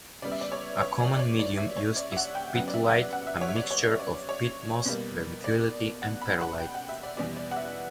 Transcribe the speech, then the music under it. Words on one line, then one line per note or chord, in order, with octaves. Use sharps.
A common medium used is 'peat-lite', a mixture of peat moss, vermiculite, and perlite.
C#3 G3 B3 D5
E5
D5
C#5
C#5
D5
D5
C#5
D5
E5
C#5
D5
E5
F#5
G5
C#3 F#3 B3 F#5
D5
E5
F#5
E5
F#5
E5
C#5
E5
D5
C#5
D5
C#5
B2 G3 A#3
D5
F#5
B5
F#5
G5
F#5
E5
D5
E2 B2 G3 B3 D5
D5
F#5
E5